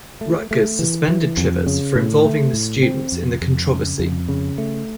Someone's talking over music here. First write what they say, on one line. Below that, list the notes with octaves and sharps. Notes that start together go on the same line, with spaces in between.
Rutgers suspended Trivers for involving the students in the controversy.
A3
A3
E3
E3
F2
C#3
A2
A3
A2
C4
F2
F2
C#3
F2
C#3
A3